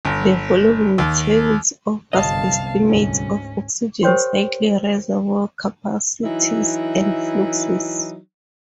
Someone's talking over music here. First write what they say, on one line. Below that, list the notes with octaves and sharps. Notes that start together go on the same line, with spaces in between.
The following tables offer estimates of oxygen cycle reservoir capacities and fluxes.
G1
D#2
G1 C2 F#2 C#5 D#5 F5 A5
D2 G#2 C#4
G4 A#4 C5 C#5 G5 C6
E3 F#3 D#4 E4